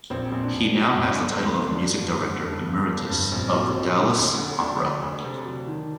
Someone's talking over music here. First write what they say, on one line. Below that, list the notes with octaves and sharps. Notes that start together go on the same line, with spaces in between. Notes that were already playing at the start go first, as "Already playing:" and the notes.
He now has the title of Music Director Emeritus of the Dallas Opera.
A#1 C4
A#1
D4
A#1
F#3 C4
G2
D4
G1
D#2 C4
D#2
D4
F#3
G2
D3
G2
G1
G2
G2
A#1 C4
F#3
A#2
D3
D2
D3
D2 D4
D2
D2
C3
F#3
D#3